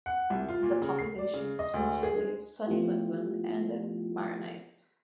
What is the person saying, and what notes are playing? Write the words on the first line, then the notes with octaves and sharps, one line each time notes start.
The population is mostly Sunni Muslim and Maronites.
F#5
C2
F4
A#2
C#3
C7
D5
C#3
D#5
D2
G#4
G#3
F3 A3 B3 E4 F4 G4